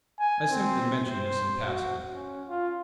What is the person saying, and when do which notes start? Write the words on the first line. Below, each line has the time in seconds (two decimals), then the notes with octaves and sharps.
I simply mention this in passing.
0.19 G#5
0.49 C4
1.10 C5
1.67 F#4
2.14 C#4
2.48 F4